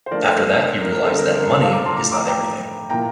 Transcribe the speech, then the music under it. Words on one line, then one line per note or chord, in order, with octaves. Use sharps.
After that he realised that money is not everything!
C5
F3 A3 D4 A#4 D5
A4 C5
A#4
A#4
A#4
D3 G3 C4 A4 C5
A#4
A#4
A4 C5
F5 A5
A#5 D6
A5 C6
A2 F3 A3 A#5 D6
A#5 D6
G5 A#5
A#2 F3 A#3 E4 G5 A#5